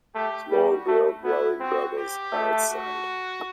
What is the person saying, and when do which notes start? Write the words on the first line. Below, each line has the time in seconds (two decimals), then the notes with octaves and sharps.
Small girl blowing bubbles outside.
0.15 A3 G4
0.51 G3 F#4
0.88 A3
1.24 B3 E4
1.60 C4 F#4
1.97 G4
2.33 A3
2.70 F#4